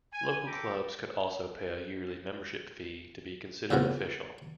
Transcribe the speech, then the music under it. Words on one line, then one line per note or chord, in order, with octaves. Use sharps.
Local clubs could also pay a yearly membership fee to be considered official.
G#5
A4 G5 A#5 B5 D6
E2 G#2 C#3 F3 A#3 B3